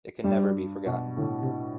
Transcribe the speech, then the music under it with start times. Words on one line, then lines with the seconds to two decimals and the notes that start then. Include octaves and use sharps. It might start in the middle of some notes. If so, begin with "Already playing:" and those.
It never can be forgotten.
0.23 G2 G3
0.86 B2
1.17 A2 D3
1.42 C3